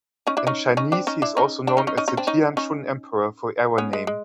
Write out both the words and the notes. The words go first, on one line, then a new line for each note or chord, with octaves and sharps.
In Chinese he is also known as the Tianshun Emperor for era name.
C#4 D#4
D4 E4
C#4 D#4
C#4 D#4
C4 D4
C#4 D#4
D4 E4
C#4 D#4
C4 D4
C#4 D#4
C#4 D#4
C#4 D#4
C#4 D#4
C4 D4
C#4 D#4
C#4 D#4
B3 C#4
G#3
G#3